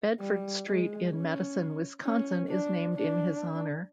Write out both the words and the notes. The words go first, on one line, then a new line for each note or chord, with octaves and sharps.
Bedford Street in Madison, Wisconsin is named in his honor.
G3
G#3
C#4
C#4
D4
D4